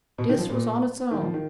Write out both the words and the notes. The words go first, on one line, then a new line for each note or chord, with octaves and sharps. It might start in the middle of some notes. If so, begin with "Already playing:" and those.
Dis was on its own.
B2
D#3
F3
A#2
D#3
F3
D#3